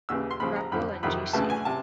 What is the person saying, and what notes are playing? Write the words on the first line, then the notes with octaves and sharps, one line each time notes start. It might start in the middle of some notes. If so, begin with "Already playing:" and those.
Crapo and G.-C.
D#2 C#3 E3 E6
C6
D#2 C#3 F3 B5
A#5
F2 D3 F3 B5
F2 C3 D#3 B5
D2 C#3 E3 A5
G#5
C3 A5